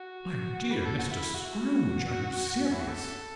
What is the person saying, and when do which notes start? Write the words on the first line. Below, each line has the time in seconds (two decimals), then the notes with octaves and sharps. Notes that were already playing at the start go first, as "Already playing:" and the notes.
"My dear Mr. Scrooge, are you serious?"
Already playing: F#4
0.71 B4
0.85 A4
0.98 F#4
1.11 E4
1.34 F#4
2.64 C#4
2.72 E4
2.81 F#4
2.88 A4